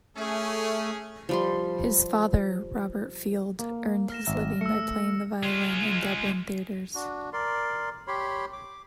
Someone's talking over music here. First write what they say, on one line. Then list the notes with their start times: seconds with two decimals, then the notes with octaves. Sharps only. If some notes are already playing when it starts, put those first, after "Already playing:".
His father, Robert Field, earned his living by playing the violin in Dublin theatres.
0.17 A3 C#4 G#4
1.29 F3 G3 C6
3.59 A#3
4.10 F6 A#6 E7
4.26 G#1 E5 A#5
4.61 A3 E6 C#7
5.43 G#3 F4
6.95 D4 F#4
7.33 A#4 D5 C6
8.08 G4 C#5 B5 C6
8.53 D6